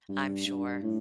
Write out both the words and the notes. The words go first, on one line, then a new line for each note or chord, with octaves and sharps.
I'm sure.
G2
G2
A2